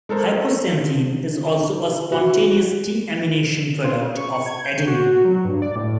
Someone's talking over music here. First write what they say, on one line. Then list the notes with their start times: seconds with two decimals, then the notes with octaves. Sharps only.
Hypoxanthine is also a spontaneous deamination product of adenine.
0.09 G#3 A4 A#4 C5
2.12 F#4
3.84 F4
4.01 C#3
4.17 C#6
4.46 G#6
4.65 G6
4.87 F#4
5.25 F#3
5.45 G2
5.62 D5
5.76 A2